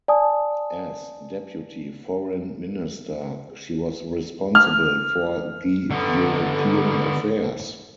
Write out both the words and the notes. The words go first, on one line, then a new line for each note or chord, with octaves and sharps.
As Deputy Foreign Minister she was responsible for the European Affairs.
D5 G#5 A5 D#6
F6
D3 B3